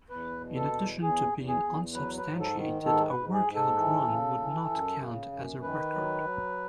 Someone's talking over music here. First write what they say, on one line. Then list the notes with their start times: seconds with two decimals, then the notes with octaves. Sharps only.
In addition to being unsubstantiated, a workout run would not count as a record.
0.10 E2 B4
0.40 B2
0.56 A4
0.71 E2
1.02 E2 G#4
1.33 E2
1.48 G#4
1.63 E2
1.93 F#3 B4
2.17 B4
2.24 G#2
2.40 A4
2.56 D#3
2.86 G#2 A4
3.09 B4
3.17 G#2
3.33 G#4
3.47 G#2
3.55 A4
3.78 E3
4.09 C#3
4.40 E3
4.70 F#2
5.01 C#3
5.32 F#2
5.63 D#3 B4
5.94 F#3
6.24 F#3